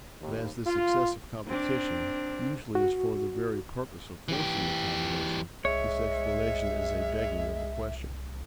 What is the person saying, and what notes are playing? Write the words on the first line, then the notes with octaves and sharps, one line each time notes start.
But as this excessive competition usually is for the very purpose of forcing the combination, this explanation is a begging of the question.
D#2
F4
C4 D4
F#4
E3 G4
C2 G#3 C#5 E5